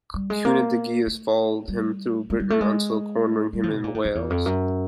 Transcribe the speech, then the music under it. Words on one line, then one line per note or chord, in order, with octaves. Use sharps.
Cunedagius followed him throughout Britain until cornering him in Wales.
G3
G#3
A#3
A3
G3
G#3
G3
A3
G#3
G3
F3
B2
A#2
A2
F2
E2
F2
F#2